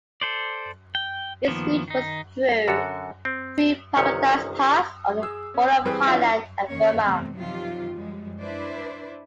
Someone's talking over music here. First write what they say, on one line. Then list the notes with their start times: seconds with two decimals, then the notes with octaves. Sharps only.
Its route was through Three Pagodas Pass on the border of Thailand and Burma.
0.21 A4 C5 D5
0.95 G5
1.48 D#3 F3 A#3 B3
1.88 D#3 D#4
2.68 F#2 D3 F#4 A4
3.25 C4
3.97 G1 C2 C3 D#3 C#4 C#5
5.22 G#4 E6
5.54 C#4
5.85 E3 G3 C4 G#4 B4 C5
6.07 E3 C#4 D#4 F4 E5
6.69 D#3 A#3 C#4 C#5
7.02 E2 C3 G3 A3 C4
7.34 C3 D#3 F3 F#3 F4 G4
7.93 F#2 F3 G3 G#3
8.41 D4 E4 B4 C5 D5